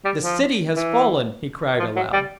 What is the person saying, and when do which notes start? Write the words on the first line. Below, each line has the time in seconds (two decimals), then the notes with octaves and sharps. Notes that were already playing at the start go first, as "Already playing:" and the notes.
"The city has fallen!" he cried aloud.
0.05 G3
0.22 F3
0.74 E3
1.79 F3
1.96 F#3
2.13 G3